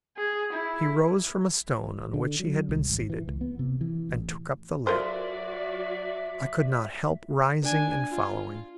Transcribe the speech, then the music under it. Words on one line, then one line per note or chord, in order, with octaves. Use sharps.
He rose from a stone on which he had been seated, and took up the lamp. I could not help rising and following.
G#4
E4
D3
F#3
C2
G#1
E3
C#2
B3
C3
E3
A1
F#3 F4 F#4 A#4 C5 D5 E5
D4 G#5
F4